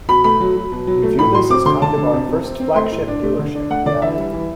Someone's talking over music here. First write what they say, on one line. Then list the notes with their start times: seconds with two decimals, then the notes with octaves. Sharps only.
"We view this as kind of our first flagship dealership," he added.
0.08 B2 B5
0.24 A3 B5
0.40 F#3
0.56 F#3
0.72 B2
0.87 F#3
1.03 A3
1.19 A2 B5
1.34 F#3 C6
1.50 C4 D6
1.65 D3 C6
1.82 D3 A5
1.98 D3
2.13 C3
2.29 C3
2.44 C4
2.60 C4
2.76 A3 C6
2.92 A2
3.08 D4
3.23 A3
3.39 D3
3.55 D4
3.70 A3 F#5
3.86 D3 D5
4.02 E3 E5
4.18 G3
4.33 E3